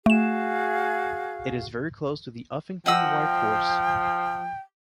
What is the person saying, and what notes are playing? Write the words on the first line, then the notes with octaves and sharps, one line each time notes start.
It is very close to the Uffington White Horse.
A3 F#4 G#4 F5 E7
F3 D#5 F#5 G5 E6